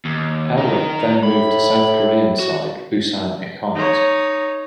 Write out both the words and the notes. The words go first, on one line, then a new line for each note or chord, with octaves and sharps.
Elrich then moved to South Korean side Busan I'cons.
D#2
D#4 A#4
A2 B5
F#4
D#4 C#5